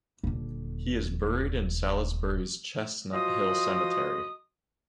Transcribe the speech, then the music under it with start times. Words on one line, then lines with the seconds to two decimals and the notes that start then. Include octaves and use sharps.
He is buried in Salisbury's Chestnut Hill Cemetery.
0.24 D#1 D3
3.13 F3 F#4 D#5 C6 D#6